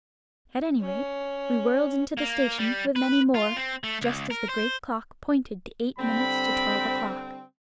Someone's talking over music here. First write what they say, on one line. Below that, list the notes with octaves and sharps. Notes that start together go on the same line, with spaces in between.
At any rate, we whirled into the station with many more, just as the great clock pointed to eight minutes to twelve o'clock.
C#4
A#3
G3
B4
F4
C4
A3
C#2
A#4
C5
D3 G3 C4 B5